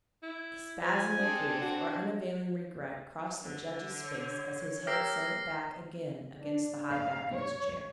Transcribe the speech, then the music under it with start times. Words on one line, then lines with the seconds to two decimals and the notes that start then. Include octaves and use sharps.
A spasm of grief or unavailing regret crossed the judge's face as his head sank back again against the high back of his chair.
0.23 E4
0.83 F3 G#5
1.19 C4 D4 G#4 A4
1.61 F#4
3.43 D3
4.02 C#5
4.87 G4 A#4 E5 F6 A#6 C7
6.40 D4
6.92 F5
7.32 C#5